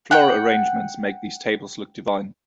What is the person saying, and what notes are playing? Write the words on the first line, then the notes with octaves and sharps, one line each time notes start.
Floral arrangements make these tables look divine.
F#5 G5